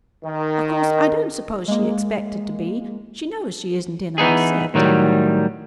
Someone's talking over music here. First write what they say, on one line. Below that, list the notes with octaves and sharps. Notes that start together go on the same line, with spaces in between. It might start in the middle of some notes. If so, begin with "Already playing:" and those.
Of course, I don't suppose she expected to be. She knows she isn't in our set.
D#3
G#3 A#3
E3 B3 D#4 G#4
A2 D#3 F#3 G3